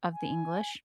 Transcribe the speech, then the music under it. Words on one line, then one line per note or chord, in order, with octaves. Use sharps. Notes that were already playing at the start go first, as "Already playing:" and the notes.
of the English.
G#5